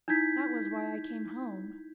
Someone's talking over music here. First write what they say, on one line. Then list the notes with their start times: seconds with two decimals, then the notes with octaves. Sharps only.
That was why I came home.
0.08 D#4 E4 G6 G#6 B6